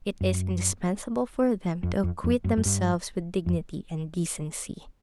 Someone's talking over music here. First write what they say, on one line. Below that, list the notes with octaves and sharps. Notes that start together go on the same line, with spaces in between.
It is indispensable for them to acquit themselves with dignity and decency.
F#2
F2
F2
F2
F#2
F#2
G2
F2